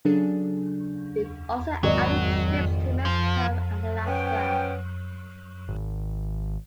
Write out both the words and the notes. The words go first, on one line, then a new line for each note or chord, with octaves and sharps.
It also added trips to Mexico and Alaska.
C#3 F#3 D4 G#4 A4
G#1 F#3 D5 D#5
F3
F3 B3 C#4 G5
G#1